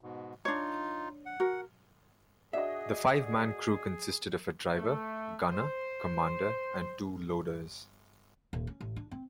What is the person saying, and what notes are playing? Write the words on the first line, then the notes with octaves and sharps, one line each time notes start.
The five-man crew consisted of a driver, gunner, commander and two loaders.
G#2 B2
D4 D#4 F4 C#5
F#5
F#4 A#4
D4 F#4 G#4 D#5 E5
A3
C5
D#1
C#4
A1
D4
C4